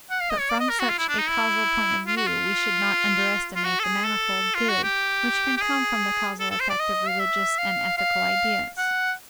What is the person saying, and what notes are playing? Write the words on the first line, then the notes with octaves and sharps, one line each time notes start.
But from such a causal point of view, we should not underestimate the manifold good which can come from the causal effect of religious and ethical ideas.
F#5
F5
D#5
C#5
D5
D#5
A#4
F#4
F4
E4
D4
D#4
E4
F4
F#4
F4
F4
F#4
A4
G#4
A4
F4
F#4
G4
G4
G#4
A4
A4
C5
D5
D#5
F5
E5
F5
F5
F#5